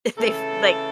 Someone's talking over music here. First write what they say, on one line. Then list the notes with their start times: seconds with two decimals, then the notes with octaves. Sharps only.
they've, like,
0.18 C#3 E3 A3 A4